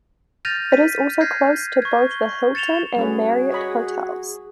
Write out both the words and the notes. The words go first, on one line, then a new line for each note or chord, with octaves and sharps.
It is also close to both the Hilton and Marriott hotels.
F6 G6 A6 A#6 D#7 F7
G6 A#6 B6 D#7
F6 G6 G#6 A#6 C7
C#6 G#6
G7
A6 C#7 E7 F7 G7
G3 C#4 F#4 G#4 B4
C#5 D#5 B5